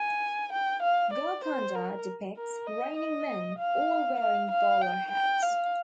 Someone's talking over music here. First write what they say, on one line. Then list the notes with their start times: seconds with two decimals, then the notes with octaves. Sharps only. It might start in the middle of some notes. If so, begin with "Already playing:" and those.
"Golconda" depicts "raining men" all wearing bowler hats.
Already playing: G#5
0.53 G5
0.83 F5
1.13 D5
1.44 C5
1.75 A#4
2.37 A#4
2.66 D#5
2.97 D#5
3.58 F5
4.20 F5
4.51 F5
4.81 G5
5.12 G5
5.43 F5